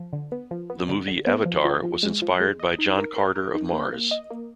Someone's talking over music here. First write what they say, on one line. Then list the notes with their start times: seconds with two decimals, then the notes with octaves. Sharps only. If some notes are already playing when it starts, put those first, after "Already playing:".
The movie "Avatar" was inspired by John Carter of Mars.
Already playing: F3
0.13 D3
0.32 B3
0.51 F3
0.70 B3
0.89 D3
1.08 D3
1.27 B3
1.46 F3
1.65 F3
1.83 F3
2.03 G#3
2.22 F3
2.40 G#3
2.59 D#5
2.79 D#4
2.98 A#4
3.16 A#4
3.36 A#4
3.55 D#4
3.73 A#3
3.93 A#3
4.11 D#5
4.31 A#3